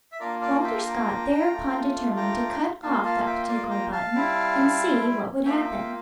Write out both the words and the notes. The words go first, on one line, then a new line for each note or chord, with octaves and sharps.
Walter Scott thereupon determined to cut off that particular button, and see what would happen.
E5
A#3 D4 F4 A#4 D5
D5 F5
E5 G5
G5 A#5
A3 D4 F4
G5 A#5
A#3 F4 F5 A5
F5 A5
E5 G5
D5 F5
G5 A#5
F5 A5
G3 C4 E4
A#3 F4 E5 G5